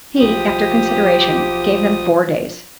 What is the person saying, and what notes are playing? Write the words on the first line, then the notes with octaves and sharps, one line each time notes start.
He, after consideration, gave them four days.
B1 F3 G4 D#6